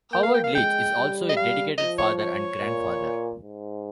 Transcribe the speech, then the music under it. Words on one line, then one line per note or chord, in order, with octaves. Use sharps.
Howard Leach is also a dedicated father and grandfather.
A#3 G5
F5
G5
F5
G#3 G5
G3
D#5
F5
F3 D#5
C#5
C#5
A#2
G#2